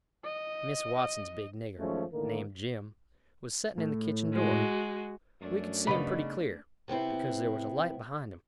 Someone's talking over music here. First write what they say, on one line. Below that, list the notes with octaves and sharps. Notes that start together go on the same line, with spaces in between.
Miss Watson's big nigger, named Jim, was setting in the kitchen door; we could see him pretty clear, because there was a light behind him.
D#5
F#2 D#3 F3 G#3 A3 C#4
A2 D3 D#3 A#3
A2
G#3 F#4
F#2 A3 C#4 D4
C#3 B3 D#4 B5
C3 B3 C4 E4